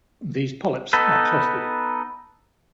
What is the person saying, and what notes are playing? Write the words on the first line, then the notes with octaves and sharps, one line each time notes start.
These polyps are clustered.
B3 D#4 A4 B4